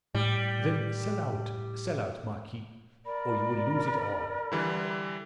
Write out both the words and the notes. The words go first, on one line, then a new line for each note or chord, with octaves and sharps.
"Then sell out--sell out, marquis, or you will lose it all."
A2 G3
A#4 D5 B5
D3 E3 G3